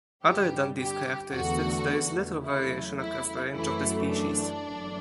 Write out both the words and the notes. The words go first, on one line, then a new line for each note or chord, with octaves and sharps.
Other than these characteristics, there is little variation across the range of the species.
G2 D3 G3 G4
G4
E2 D3 A3 F#4
E2 C#3 F#3 A3 E4
E4
F#2 E3 A3 E4
D4
G1 F#2 E3 A3